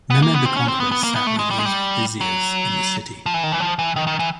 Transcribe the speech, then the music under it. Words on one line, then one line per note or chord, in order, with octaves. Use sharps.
Mehmed the Conqueror sat with his viziers in the city.
B3
A#3
B3
C4
C#4
C4
B3
B3
A#3
B3
A3
G#3
G3
G#3
G3
F#3
F3
E3
D#3
E3
F3
E3
D#3
D#3
E3